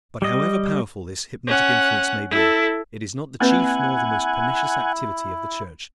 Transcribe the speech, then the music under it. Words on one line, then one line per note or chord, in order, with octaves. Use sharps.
But however powerful this hypnotic influence may be, it is not the chief nor the most pernicious activity of the Church.
G3 D#5
C#4 F#5
E4 A4
A#3 C4 E4 B4 F#5 G#5